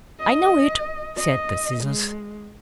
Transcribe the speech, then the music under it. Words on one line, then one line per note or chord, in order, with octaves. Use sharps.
"I know it," said the scissors.
D#5
D#5
G#3